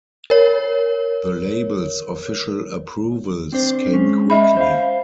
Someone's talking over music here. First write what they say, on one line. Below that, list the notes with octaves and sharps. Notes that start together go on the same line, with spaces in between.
The label's official approvals came quickly.
A#4 C#5
C4 D4 C5
G#3 C#4
D#5 E5 B5
C5 F5